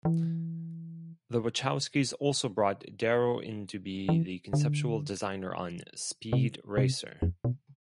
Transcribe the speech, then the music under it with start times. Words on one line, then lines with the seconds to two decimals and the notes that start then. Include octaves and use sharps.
The Wachowskis also brought Darrow in to be the conceptual designer on "Speed Racer".
0.05 E3
4.09 E3
4.53 D3
6.33 C3
6.77 C3
7.22 F2
7.44 B2